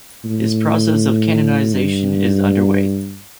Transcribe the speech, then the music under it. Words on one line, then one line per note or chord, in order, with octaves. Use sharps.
His process of canonization is underway.
A2
G2